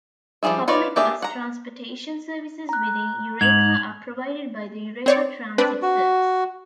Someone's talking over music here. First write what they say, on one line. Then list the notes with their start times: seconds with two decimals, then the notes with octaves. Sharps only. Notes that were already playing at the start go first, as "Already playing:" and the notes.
Public bus transportation services within Eureka are provided by the Eureka Transit Service.
0.43 F3 G3 F4 G#4 E5
0.68 D#4 F4 B4 C#5 D5
0.96 A#3 D4 G4 G#4 E5
1.22 F#5 A#5
2.69 A#5 F#6
3.41 G#2 G#6 F7 F#7
5.06 C4 C#5 D5
5.58 C4 D4 B4
5.82 F#4